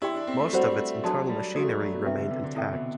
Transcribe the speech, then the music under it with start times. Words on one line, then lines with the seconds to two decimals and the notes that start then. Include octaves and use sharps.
Most of its internal machinery remained intact.
0.02 E4 G4 D5 G5 C6
0.15 D4
0.27 C4
0.40 A3
0.53 G3 F#4 C5 F#5
1.04 F#3 D4 A4 D5 A5 C6
1.29 G3
1.54 A3 F#4 A4 D5
1.67 G3
1.80 F#3
1.93 B2
2.05 C3 B4 E5 G5
2.18 D3
2.31 C3
2.44 D3
2.56 C3 E4 A4 E5 G5
2.73 B2